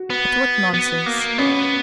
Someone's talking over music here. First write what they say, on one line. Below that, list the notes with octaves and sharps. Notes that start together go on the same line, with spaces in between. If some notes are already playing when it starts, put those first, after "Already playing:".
But what nonsense....
Already playing: F#4
B3
B3
A#3
B3 C#4